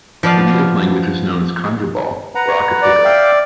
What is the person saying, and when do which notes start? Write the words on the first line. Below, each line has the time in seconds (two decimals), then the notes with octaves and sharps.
The native language is known as Kanjobal or akateco.
0.23 F3 B3 D5 F5
2.35 B4 F#5 A#5
2.82 D5
3.05 E5 F5 G5